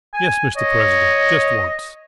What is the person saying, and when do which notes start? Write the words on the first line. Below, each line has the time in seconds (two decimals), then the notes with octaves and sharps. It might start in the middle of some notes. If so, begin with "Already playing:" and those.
"Yes, Mr. President, just once."
0.14 G#5
0.57 C#5 D#5